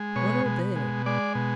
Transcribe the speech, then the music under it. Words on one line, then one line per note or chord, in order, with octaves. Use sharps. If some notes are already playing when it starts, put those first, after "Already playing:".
"What are they?"
Already playing: G#3
B2 C#5
B2
G#3
G#3 D5
B2